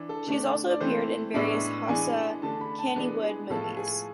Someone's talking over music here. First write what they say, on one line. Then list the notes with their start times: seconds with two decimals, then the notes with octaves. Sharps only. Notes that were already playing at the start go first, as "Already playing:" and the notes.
She has also appeared in various Hausa Kannywood movies.
Already playing: E3 D4
0.09 A4
0.27 D3 A3 D4
0.70 D5
0.80 E3 A3 C4 C5
1.34 A2 G#3 B3 D4 E5
1.88 E3 G#3 B3 D4 G#5
2.42 D3 A3 D4 A5
2.61 B5
2.79 A5
2.96 E3 G#3 B3 D4 B4
3.23 G#4
3.50 A2 F3 G#3 B3 A4
3.77 G#4